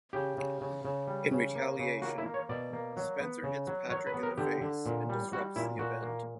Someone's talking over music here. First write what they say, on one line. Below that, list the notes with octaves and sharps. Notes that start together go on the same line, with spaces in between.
In retaliation, Spencer hits Patrick in the face and disrupts the event.
C#3 G4
C#3
C#3
C#3
G3
C#3
A#3
C#3
A#3 F#4
E4
A#3
C#5
B2 D5
A#3
F#3
B3
C#3
F#3
F#3 C#5
B4
B3
A#4
D3 G4
D3
A#2
G3
G3 F#4
A#2 E4
A#2 F#4
A#3